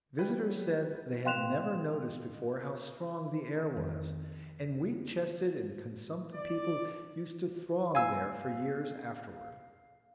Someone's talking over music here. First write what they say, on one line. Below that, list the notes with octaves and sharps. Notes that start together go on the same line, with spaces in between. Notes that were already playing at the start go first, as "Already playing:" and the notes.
Visitors said they had never noticed before how strong the air was, and weak-chested and consumptive people used to throng there for years afterwards.
F#3 G3 B4
F5 G5 C6 F#6 E7 F7
F2 D#3
D5
F5 G#5 E6